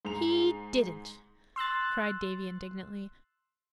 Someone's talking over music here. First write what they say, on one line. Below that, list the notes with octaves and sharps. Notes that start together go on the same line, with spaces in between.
"He didn't," cried Davy indignantly.
G#2 A#5 F7
C6 E6 F#6 A6